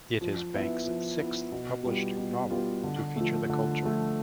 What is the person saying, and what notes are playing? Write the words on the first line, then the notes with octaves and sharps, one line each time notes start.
It is Banks' sixth published novel to feature the Culture.
F3
B3 E4
F3
B3 E4
B2
G3 B3 F4
B2
G3 B3 F4
D3
F3 A3
D3
F3 A3